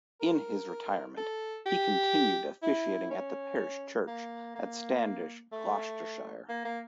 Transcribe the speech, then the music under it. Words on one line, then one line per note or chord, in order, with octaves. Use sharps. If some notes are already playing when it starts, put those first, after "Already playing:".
In his retirement he continued officiating at the parish church at Standish, Gloucestershire.
A#4
A4
G4
E4
C#4
A#3
A#3
A3
A#3
A#3